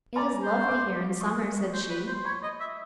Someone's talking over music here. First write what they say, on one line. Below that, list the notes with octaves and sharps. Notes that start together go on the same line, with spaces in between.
"It is lovely here in summer!" said she.
D5 G#5 A#5
C5 B5
C6
C#6
C6 D6
C#6 D#6
C5
B4
C5
C6
C#5 B5 C#6
D#5
E5